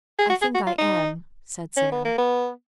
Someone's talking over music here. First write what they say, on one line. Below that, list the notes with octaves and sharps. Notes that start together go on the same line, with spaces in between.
"I think I am," said Sara.
G#4
F#4
G#4
F#4
F4
D#4
C#4
B3
A#3
B3